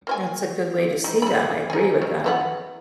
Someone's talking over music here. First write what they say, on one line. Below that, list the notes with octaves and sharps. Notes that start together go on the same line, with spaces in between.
That's a good way to see that, I agree with that.
A#3 C5 G#5
D#4
D#4 B5
D#4 G#5
D#3
E3 B3 F#5